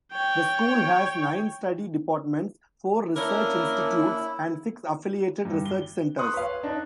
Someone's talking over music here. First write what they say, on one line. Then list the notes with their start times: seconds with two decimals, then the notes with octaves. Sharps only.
The school has nine study departments, four research institutes and six affiliated research centres.
0.12 C#5 G5
3.16 A#3 C#4 D4 E4 A#4
5.45 G2
5.65 G7
6.18 C6 C#6 D#6 F#6
6.34 B4 C#5 F5
6.63 D4 D#4